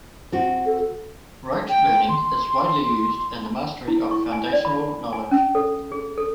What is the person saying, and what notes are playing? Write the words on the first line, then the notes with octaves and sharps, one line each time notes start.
Rote learning is widely used in the mastery of foundational knowledge.
C4 F#4
A4
G5
C6
E4
C#6
G#5
D5
B5
G#5
C#4
A4
G#4
A4